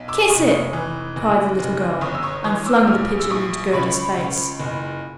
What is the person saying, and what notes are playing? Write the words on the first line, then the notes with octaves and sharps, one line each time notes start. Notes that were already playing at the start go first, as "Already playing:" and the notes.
"Kiss it," cried the little girl, and flung the pigeon in Gerda's face.
Already playing: B1
D6 E6
F1 C#6 D#6
E3
F#1
F#1
G1 C#6 D#6
E6
C#6 D#6
E3 C#6 D#6
D6 E6
E6
A#1 D#6 F6
E6
A#1 C#6 D#6
C#2 B5 C#6
C#2
F#1